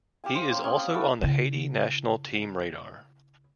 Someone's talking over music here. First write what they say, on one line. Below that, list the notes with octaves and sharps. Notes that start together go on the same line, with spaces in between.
He is also on the Haiti national team radar.
G4 F5 G#5
C5 F5
A#3 C#4 C6
C4 C#4 G4 D#6
F5
E4 F#4 A4
C#3 E4